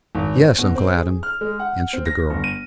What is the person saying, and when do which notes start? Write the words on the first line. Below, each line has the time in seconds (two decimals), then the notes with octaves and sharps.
"Yes, Uncle Adam," answered the girl.
0.15 G#1
0.36 C4
0.58 B2
0.76 C4
0.96 G#4
1.23 F6
1.41 G#3
1.59 F#5
1.93 C4
2.06 A#6
2.30 G1
2.44 D#7